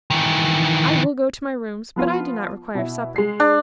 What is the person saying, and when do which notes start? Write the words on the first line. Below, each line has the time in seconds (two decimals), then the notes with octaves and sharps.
I will go to my rooms, but I do not require supper.
0.10 D#3 E3
1.96 F3 B3 F4
2.75 B2 E4
3.16 G#3 C7
3.40 D4